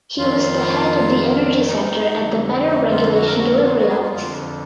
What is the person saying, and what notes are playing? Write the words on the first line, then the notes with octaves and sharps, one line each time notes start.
He was the Head of the Energy Sector at the Better Regulation Delivery Office.
F2 D#3 F4
D#4
F2 D3
D#4
F4
F#4
A#4
F#4
F4
F#4
G#4
F4
F2 D3 F4